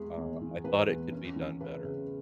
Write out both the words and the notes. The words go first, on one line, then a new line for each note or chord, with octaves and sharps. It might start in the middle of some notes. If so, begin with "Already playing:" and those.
Uh, I thought it could be done better.
Already playing: E2 E3 G#3 G#4
E2
E3
E3 B4
E2
C#4
E3
C#3 B4
C#3